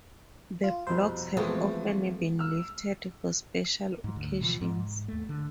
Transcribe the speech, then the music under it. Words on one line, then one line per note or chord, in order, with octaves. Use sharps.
The blocks have often been lifted for special occasions.
F4
C2 F2 B2 C5
E3 F3 G#3 A3 B3 C4 F#4
E6 F6
G#2
D2
B2 E3 F3
G#2
D#2 A3
D3